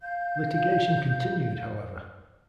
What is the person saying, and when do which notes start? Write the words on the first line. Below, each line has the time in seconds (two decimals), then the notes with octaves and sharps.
Litigation continued, however.
0.02 F5 G6